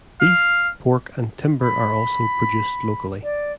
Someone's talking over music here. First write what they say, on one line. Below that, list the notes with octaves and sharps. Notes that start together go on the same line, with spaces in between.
Beef, pork and timber are also produced locally.
F5
B5
D5